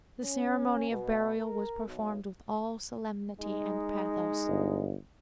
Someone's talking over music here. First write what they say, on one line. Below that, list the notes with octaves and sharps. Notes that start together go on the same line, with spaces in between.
The ceremony of burial was performed with all solemnity and pathos.
C#4
B2
A#4
B1
G#3 D#4
G1